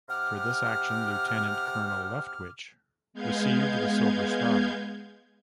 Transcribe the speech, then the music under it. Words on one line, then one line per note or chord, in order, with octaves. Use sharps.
For this action, Lieutenant Colonel Leftwich received the Silver Star.
C3 G4 F#5 D6 F6
G#3 B3 F5 G6 G#6